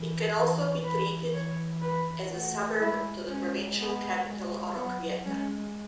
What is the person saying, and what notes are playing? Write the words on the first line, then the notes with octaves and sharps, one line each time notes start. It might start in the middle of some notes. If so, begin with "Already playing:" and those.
It can also be treated as a suburb to the provincial capital Oroquieta.
Already playing: E3
E3
E3 B4
C#5
B4
A3 F#4
G#3 E4
G#3 C#4
B3
G#3
F#3 B3
G#3 C#4